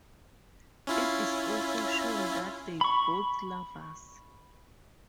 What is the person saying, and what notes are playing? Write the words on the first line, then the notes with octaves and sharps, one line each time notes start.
It is also shown that they're both lovers.
C#4 E4 F4
B5 C#6